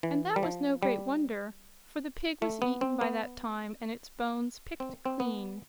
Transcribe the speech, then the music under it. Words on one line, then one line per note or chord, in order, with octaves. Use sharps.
And that was no great wonder, for the pig was eaten by that time and its bones picked clean.
E3
G3
F3
G3
A3
B3
C4
B3
C4
C4
B3